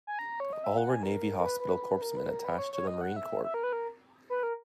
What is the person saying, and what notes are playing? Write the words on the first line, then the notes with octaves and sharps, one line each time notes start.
All were Navy hospital corpsmen attached to the Marine Corps.
G#5
A#5
C#5
D#5
E5
F#5
G#5
A#4
A#4
B4
B4
A#4
B4
A#4
B4
C#5
C#5
D#5
F#5
E5
E5
A#4
B4
A#4
B4
A#4